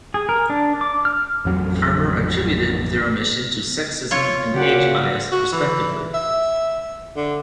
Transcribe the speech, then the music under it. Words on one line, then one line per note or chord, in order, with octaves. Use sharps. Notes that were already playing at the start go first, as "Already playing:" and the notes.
Farmer attributed their omission to sexism and age bias, respectively.
G#4
A#4
D4
D6
F6
A1 F2 F#3
F4 C#5
A#2 C#3 F#4 G4 F#5 D6
F#4
E3
E5
D3